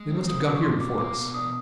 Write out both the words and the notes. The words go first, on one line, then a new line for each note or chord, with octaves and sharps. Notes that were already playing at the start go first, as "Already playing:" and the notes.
"They must have got here before us."
Already playing: G#3
C4
F#3 D#6
F#3 D6
C#6
B2 C6
A#3 D6
A#3 D6
B2
D4 D#6